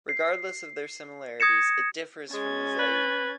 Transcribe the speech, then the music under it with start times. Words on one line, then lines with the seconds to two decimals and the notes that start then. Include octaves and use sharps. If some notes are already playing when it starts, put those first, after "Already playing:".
Regardless of their similarities, it differs from the Zaï.
0.09 C7
1.40 D#6 G#6 A#6 C#7 E7
2.33 G#3 C#4 G#6 A6
2.79 B4